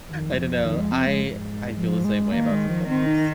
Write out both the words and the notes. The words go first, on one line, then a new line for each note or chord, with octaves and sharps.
I dunno. I I feel the same way about some things.
F2 D#3
G#3
F3
D#3
G#3
C4
G#3
G#2
F3
G#3
D#3 A#3
G#3
F3
D#3 C4
D#4